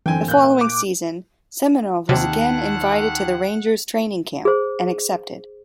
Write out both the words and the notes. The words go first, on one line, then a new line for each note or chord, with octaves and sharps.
The following season, Semenov was again invited to the Rangers training camp, and accepted.
F#2 D3 E3 C4 G5 G#5
A#2 F#6 G6
D6
D#2 C3 D#4 F#5 A5
G#4 C5